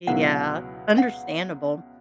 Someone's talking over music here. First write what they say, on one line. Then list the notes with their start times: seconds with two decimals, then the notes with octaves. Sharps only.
Yeah, understandable.
0.07 C#2 B2 F#3 B3 E4 F#5
0.98 F#5